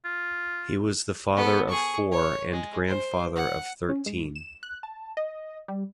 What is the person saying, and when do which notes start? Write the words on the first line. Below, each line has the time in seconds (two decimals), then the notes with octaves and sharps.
He was the father of four and grandfather of thirteen.
0.05 F4
1.36 B3 A4
1.69 G#4 C#6
2.11 C#5
2.52 G#3
2.87 C5
3.35 F#5
3.89 C#4
4.06 G#2
4.35 E7
4.63 F#6
4.83 A5
5.17 D#5
5.68 G3